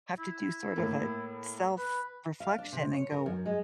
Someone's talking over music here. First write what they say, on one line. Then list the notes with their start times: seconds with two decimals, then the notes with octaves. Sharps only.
have to do sort of a self-reflection and go,
0.19 E4
0.76 A2 A#3
1.78 B4
2.40 F5
2.58 D4
2.73 C3
2.93 C#5
3.12 A#4
3.26 F#2
3.46 G#3